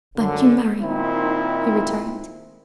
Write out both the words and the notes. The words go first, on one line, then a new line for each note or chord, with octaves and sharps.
"Thank you, Mary," he returned.
F#2 D3
A#2 D#3 C4 D#4 E4